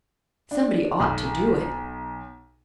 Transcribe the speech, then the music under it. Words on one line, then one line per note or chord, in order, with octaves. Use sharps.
Somebody ought to do it.
D4
B1